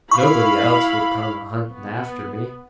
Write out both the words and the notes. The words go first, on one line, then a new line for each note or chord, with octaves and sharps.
Nobody else would come a-hunting after me.
E4 F5 B5 C#6
B3